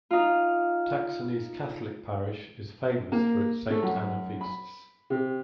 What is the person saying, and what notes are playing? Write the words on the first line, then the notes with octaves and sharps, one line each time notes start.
Taksony's Catholic parish is famous for its Saint Anna feasts.
D#4 F4
A#3
A3
F#2
B5
C3